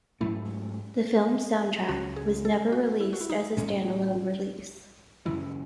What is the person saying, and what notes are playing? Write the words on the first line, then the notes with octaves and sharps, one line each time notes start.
The film's soundtrack was never released as a stand-alone release.
G#2 F#3 A3 C#4 E4
C#2 C#3 F#3 C#4 F#4
G#4
A4
F#4
E4
F#4
E4
D#4
A2 G#3 C#4
F#2 C#3 E3 G#3 E4